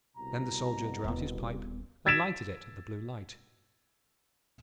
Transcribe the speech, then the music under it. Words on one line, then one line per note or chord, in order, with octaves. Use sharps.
Then the Soldier drew out his pipe, and lighted it at the Blue Light.
C2 B2 A#5
D#1 B3
E6 G#6 A6 B6 D7 E7